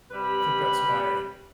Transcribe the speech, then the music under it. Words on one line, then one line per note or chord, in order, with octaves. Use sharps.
I think that's my
C3 G3 B4 B5